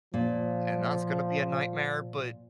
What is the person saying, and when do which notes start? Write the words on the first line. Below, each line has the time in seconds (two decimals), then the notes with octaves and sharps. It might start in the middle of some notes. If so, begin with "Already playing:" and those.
and that's gonna be a nightmare," but
0.14 A#2 F3